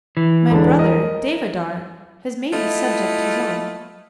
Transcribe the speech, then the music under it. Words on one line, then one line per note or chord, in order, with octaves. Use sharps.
My brother, Devadhar, has made the subject his own.
E3
E1 D3 D4
A#4 D#5
A3 E4 F4 D#5